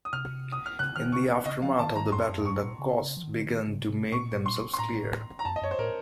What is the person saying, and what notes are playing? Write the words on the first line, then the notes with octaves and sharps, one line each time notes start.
In the aftermath of the battle, the costs began to make themselves clear.
D#6
C3 F6
D#6
F6
C#3 F#6
D#3 F6
C#3 C#6
C#3 D#5
F3 F5
D#3 A5
D#3 A#5
F#2 C6
F#2
F2
F#2 C#6
A#2
C#3
C#3
F3
D#3
C#3
D#3
C#3
C3
A#2 C#6
C6
C6
A2 A#5
A#5
F#2 A5
D#5
F#2 C#5
C5
A2 A#4